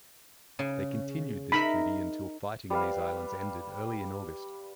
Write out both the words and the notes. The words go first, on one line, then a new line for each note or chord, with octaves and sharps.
They continued this duty until fighting in these islands ended early in August.
C#3
D#4 A#4 E5 B5
G3 B4 F5